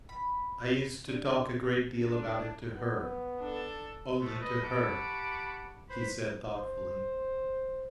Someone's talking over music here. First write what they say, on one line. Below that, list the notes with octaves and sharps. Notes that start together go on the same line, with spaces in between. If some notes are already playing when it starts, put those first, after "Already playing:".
"I used to talk a great deal about it to her, only to her," he said thoughtfully.
B5
D4
D4
B3
D4 A4
C3 F3 G#3 A3
A4 B4 D#5
G4 F#5 A5 B5 C#6 D6
B4 C5 B5
C5